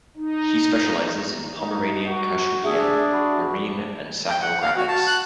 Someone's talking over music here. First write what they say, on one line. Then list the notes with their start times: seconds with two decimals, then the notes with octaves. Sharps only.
He specializes in Pomeranian-Kashubian, marine and sacral graphics.
0.17 D#4
1.58 D#4
2.06 F#4
2.64 D4 G#4 E5
3.13 F#4 B5
4.29 G5
4.42 F#5
4.62 F5
4.77 F#4
4.88 A5
5.07 F#6